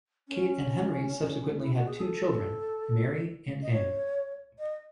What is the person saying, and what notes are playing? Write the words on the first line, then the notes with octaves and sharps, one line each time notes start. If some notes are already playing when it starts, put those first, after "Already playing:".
Kate and Henry subsequently had two children, Mary and Anne.
C#4
E4
F#4
G#4
A4
D#5
C#5
D#5